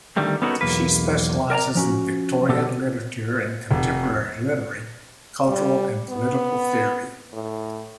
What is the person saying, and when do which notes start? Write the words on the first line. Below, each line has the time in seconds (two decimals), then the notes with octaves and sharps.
She specializes in Victorian literature and contemporary literary, cultural, and political theory.
0.16 D3 D#3 G3 A3 C4
0.42 B3 C#4 D#4 F#4 A4 A#4
0.61 B1 E2 A#3 B4
1.50 A#4 D5 A5 A#5
1.75 F3 C#4 F#4
2.49 B2 B3 G4 A4
3.71 F1
5.49 G3
6.09 B3
7.33 A2